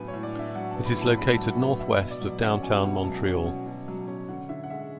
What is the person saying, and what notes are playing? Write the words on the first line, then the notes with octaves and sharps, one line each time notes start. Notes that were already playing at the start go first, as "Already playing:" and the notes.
It is located northwest of downtown Montreal.
Already playing: A2 F#3 B3 D4 B4 G#5
C#5
A2
D5
D4 E5
F#3 F#5
B3 A5
B5
A2
A5
D4 B5
F#3 A5
F#5
B3
B2 E5
B2
D5
F#3
C#4 F#5
B2 G#5
B2 F#5
F#3 A5
C#4
B2
B2
F#3
C#4
D3 F#5
D3 E5
F#5
G#3 E5